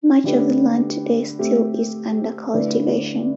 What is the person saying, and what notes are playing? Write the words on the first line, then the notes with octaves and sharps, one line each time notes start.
Much of the land today still is under cultivation.
D3 A3 D4 G4 B4
A3 C4 G4
D3 A3 E4 B4 D5